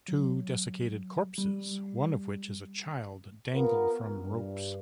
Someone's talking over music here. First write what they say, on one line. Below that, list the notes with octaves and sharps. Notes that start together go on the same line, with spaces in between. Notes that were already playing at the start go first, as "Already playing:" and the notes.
Two desiccated corpses, one of which is a child, dangle from ropes.
F#3
G3
B3 F4 A#4
G2